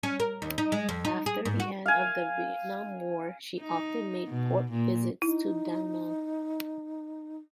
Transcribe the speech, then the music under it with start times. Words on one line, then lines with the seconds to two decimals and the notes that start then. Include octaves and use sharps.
After the end of the Vietnam War, she often made port visits to Danang.
0.03 C#4
0.20 A#4
0.42 D#2
0.58 D#4
0.72 G#3
0.89 F2
1.05 D#4
1.26 G#4
1.45 G#2
1.60 F#4
1.86 F5 G#5
3.60 D#4
4.28 B2
4.71 A#2
5.22 D#4 E4